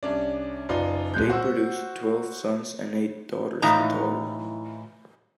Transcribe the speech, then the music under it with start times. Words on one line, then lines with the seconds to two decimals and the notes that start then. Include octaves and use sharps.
They produced twelve sons and eight daughters in total.
0.03 C2 C#4 D4 D5
0.69 F#1 D#4 F4 B4 D5
1.14 D#1 G#3 F#6 G6
1.30 F#4 C5 F#5 E6
3.62 A2 E3 D#4 F4 A#5